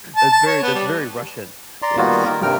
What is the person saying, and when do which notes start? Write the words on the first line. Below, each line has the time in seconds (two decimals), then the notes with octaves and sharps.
that's very that's very Russian, yes.
0.16 A5
0.32 A5
0.46 C#5
0.63 B3
0.75 G3
1.82 D5 A#5 C6
1.98 D#3 G3 A#3 B3 F4 F#4
2.25 D#3 A#3 A#4
2.43 G2 C3 G3 A#4 G5 F6